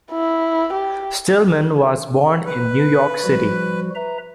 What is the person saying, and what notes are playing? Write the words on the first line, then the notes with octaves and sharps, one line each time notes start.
Stillman was born in New York City.
E4
G4
B4
F3 G3 F#4
B4 E5 A#5